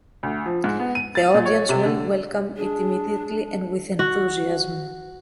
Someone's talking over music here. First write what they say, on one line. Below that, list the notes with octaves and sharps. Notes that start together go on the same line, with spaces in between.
The audience will welcome it immediately and with enthusiasm.
D2
F3
G#2
B3
D#7
A6
A#2
C#5
C3
D3
D4 G#4
F#4